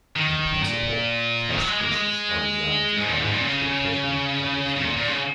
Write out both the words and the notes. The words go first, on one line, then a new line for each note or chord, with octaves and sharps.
In principle, test cases are designed to cover each partition at least once.
D#3
A#2
D#3
F#3
G#3
A#3
G#3
G#2
A#2
G#2
A#2
C#3
C#3
A#2
A#2
C#3